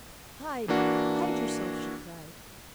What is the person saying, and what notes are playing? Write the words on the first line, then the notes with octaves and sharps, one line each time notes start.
"Hide! hide yourself!" she cried.
E3 A#3 D4 F#4